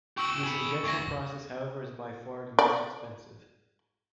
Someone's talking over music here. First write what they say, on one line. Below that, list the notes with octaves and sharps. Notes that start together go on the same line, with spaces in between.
This injection process however is by far the most expensive.
F#4 G4 C#6 E6 F#7
G#4 B5
D2 C#6 A#6
D5